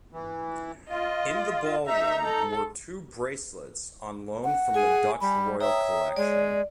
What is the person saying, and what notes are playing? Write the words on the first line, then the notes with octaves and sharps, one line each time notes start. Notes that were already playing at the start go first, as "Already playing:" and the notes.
In the ballroom were two bracelets on loan from the Dutch Royal collection.
E3
F4 D#5
D#4 E5 A#5
A4
F#5
G#4 G#5
G3 B5
C#5 E5 G5 A#5 D#6
G#3 D5